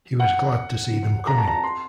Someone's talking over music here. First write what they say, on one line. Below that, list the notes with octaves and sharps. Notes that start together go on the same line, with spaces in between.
He was glad to see them coming.
F#5
A#5
A5
A#5
C6